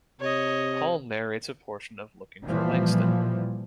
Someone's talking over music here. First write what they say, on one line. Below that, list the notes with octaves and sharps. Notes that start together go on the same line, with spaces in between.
Hall narrates a portion of Looking for Langston.
C3 C#5 D#5
A#2 E3 F3 G3